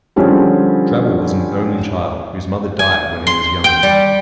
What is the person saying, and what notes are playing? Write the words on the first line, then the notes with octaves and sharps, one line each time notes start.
Drabble was an only child, whose mother died when he was young.
D3 F3 G3 C4 C#4 G#4
G#5
C6
G5
G3